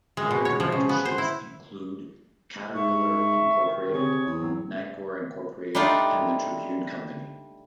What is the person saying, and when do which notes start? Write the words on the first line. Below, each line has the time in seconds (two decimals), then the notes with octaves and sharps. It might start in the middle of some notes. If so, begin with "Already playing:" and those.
Other directorships include Caterpillar Incorporated Nicor Incorporated and the Tribune Company.
0.17 G#3
0.31 B2
0.45 C#5
0.60 F3
0.72 C#3
0.89 B3
1.05 C5
1.18 E4
2.75 G#2 E5 C#6
3.64 D#3
3.93 C3 G#4 C#5 C#6
4.26 E2
4.40 G#2 F#3 C4
5.75 G3 A3 D4 D#4 F4